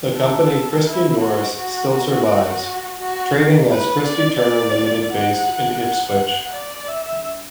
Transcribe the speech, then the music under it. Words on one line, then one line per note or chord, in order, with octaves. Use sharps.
The Company Christy Norris still survives, trading as Christy Turner Limited based in Ipswich.
A4
E4
F#4
F#4
F#4
F#4
B4
D5
D5
F#5
F#5
D5
E5